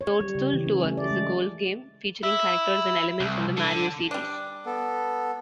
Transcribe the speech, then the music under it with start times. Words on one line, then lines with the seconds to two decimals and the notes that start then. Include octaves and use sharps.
"Toadstool Tour" is a golf game featuring characters and elements from the "Mario" series.
0.01 C#5
0.21 G3
0.35 C#3
0.53 E3
0.67 C#4
0.85 A3
0.97 D5
1.10 G#3
2.23 E4
3.20 C2
3.57 D3
4.11 G3 D4
4.66 B3 A4